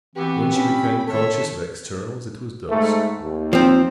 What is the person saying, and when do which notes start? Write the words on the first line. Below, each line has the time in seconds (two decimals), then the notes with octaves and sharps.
When she became conscious of externals it was dusk.
0.16 E3 B3 C4 F#4 G4
0.53 C#4 B5
1.07 D#3 A4 C#5 E5
2.69 G#2 A3
3.19 D#2
3.53 F3 C4